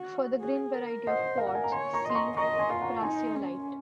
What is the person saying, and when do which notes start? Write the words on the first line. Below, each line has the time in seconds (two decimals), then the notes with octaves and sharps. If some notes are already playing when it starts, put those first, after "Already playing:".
For the green variety of quartz see prasiolite.
Already playing: F#4
0.41 G#4
0.74 A#4
1.06 C5 D#5 F#5
1.38 A#4 F5
1.47 F#5
1.55 G#5
1.64 A#5
1.72 C#5 G#5 C6
1.93 A#5 C#6
2.05 D#5 C6
2.15 A#5 C#6
2.37 D#5 A#5 C#6
2.59 G#5 C6
2.70 F4 C6
2.81 F#5 A#5
3.02 D#4 G#5 C6
3.36 C#4